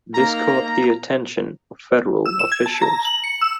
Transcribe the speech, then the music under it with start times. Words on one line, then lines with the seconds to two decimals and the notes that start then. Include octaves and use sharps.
This caught the attention of federal officials.
0.14 A#3 D#4 A#5
2.26 E6
2.39 E7
2.52 G#6
2.66 A5
2.82 A#5
3.05 F#7
3.24 C#7
3.41 E6